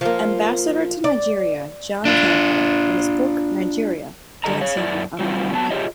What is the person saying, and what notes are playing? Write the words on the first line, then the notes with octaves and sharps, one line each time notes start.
Ambassador to Nigeria John Campbell in his book, Nigeria: Dancing on the Brink.
F3 A#3
D5
D4 F4
F#2 D3 F#3 A4 D#5 A#5
C#5 F5
F#2 E4 D5 E5
F#3 G3 C4 F4
F#3 B3 A5
F4 G4 G#4 C#5 D#5 E5